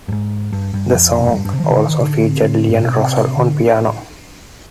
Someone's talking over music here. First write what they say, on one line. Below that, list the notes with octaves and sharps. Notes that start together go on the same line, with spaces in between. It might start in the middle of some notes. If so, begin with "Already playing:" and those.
The song also featured Leon Russell on piano.
G2
G#2
G2
G2
F2
B2
G#2
G2
G2
C3
F3
D#3
C3
D3
D#3
C3
D3
G#2
B2
C3
D3